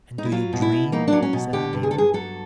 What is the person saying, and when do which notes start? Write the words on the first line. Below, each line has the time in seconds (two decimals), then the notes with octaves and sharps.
"And do you dream?" said the daemon.
0.18 D#4
0.25 E4
0.32 F#3 F4
0.53 B2
0.62 E4
0.72 B2
0.92 A#3 D#4
1.08 F#3 D4
1.22 C#4
1.33 B2
1.53 D3 G4
1.73 G2
1.83 G#4
1.91 A4
1.93 G2 G#4
2.13 F#3 A4